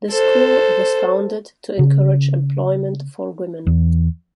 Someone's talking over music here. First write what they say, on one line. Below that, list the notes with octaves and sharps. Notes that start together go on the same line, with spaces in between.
The school was founded to encourage employment for women.
A4 C5
C#3
E2